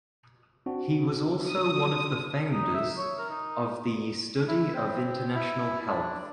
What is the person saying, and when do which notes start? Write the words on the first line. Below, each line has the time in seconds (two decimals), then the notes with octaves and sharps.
He was also one of the founders of the study of international health.
0.66 C4 D4 F#4
1.48 D#6
2.52 D#4
2.74 E5
2.97 C#5
3.18 A#4
3.30 D#4
4.48 E4
4.74 C4
5.35 E4
5.87 D4